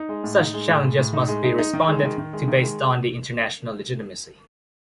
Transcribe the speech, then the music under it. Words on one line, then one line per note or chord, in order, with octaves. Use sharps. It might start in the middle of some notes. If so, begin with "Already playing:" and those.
Such challenges must be responded to based on the international legitimacy.
Already playing: D#4
G#3
A2
D#4
G#3
A2
G#3
A2
D#4
G#3
D#4
D#4
D#3
G#3
D#3
D#3
G#3
D#3
G#3